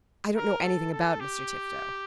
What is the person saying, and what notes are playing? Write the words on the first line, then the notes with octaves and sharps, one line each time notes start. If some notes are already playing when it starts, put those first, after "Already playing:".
"I don't know anything about Mr. Tifto."
A#4
A4
A4
G4